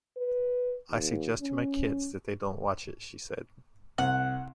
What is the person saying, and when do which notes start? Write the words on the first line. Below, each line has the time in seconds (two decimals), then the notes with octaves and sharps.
I suggest to my kids that they don't watch it, she said.
0.17 B4
0.91 D#2
1.42 C#4
3.98 C2 F#5